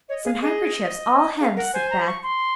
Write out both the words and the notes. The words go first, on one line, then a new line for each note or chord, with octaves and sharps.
"Some handkerchiefs, all hemmed," said Beth.
C#5 D#5
G#4 F5
G#4 D#5
G#4 F5
A#4 F#5
C5 G#5
A#5
C#6
C6